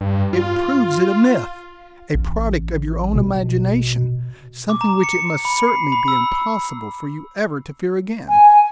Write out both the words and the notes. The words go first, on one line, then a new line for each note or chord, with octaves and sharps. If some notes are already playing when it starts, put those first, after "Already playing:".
It proves it a myth, a product of your own imagination, something which it must certainly be impossible for you ever to fear again.
G2
F4
A1
B2
D6
A#5
C#7
B5
C7
B5
E6
G#5